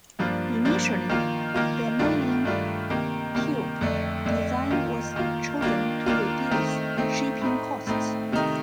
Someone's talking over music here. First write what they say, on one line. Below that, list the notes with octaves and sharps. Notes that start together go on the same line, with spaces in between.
Initially, the mailing tube design was chosen to reduce shipping costs.
G2 F3 A#3 D4 F4
G2 F3 A#3 D4 F4
D#3 A#3 F4
D#3 A#3 F4
G2 D#3 A3 D4 F4
G2 D#3 A3 D4 F4
C3 D#3 A#3
C3 D#3 A#3
F2 D3 A3
F2 D3 A3
D#3 A#3 F4
D#3 A#3 F4
D#3 A#3 D4 F4
D#3 A#3 D4 F4
D#3 A3 C4 D#4
D#3 A3 C4 D#4
A2 A3 C4 D#4
A2 A3 C4 D#4
C3 D#3 A3 D#4